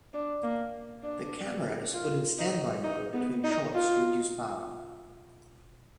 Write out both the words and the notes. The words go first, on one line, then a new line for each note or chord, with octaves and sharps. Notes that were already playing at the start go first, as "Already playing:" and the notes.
The camera is put in standby mode between shots to reduce power.
D4
A#3
D4
F4
D#4
D#4
B3
D#4
F4